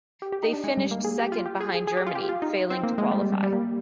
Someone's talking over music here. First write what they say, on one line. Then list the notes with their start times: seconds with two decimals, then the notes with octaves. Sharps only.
They finished second behind Germany, failing to qualify.
0.22 G4
0.32 G4
0.43 D#4
0.53 D4
0.64 G#3
0.77 G3
0.91 A#3
1.05 G#4
1.19 G4
1.32 F4
1.46 G4
1.61 G#4
1.74 G#4
1.87 G#4
1.97 G4
2.07 F4
2.15 G4
2.29 F4
2.42 D#4
2.70 C4
2.83 A#3
2.98 G#3
3.11 G3
3.21 G3
3.32 G3
3.43 G3
3.53 A#3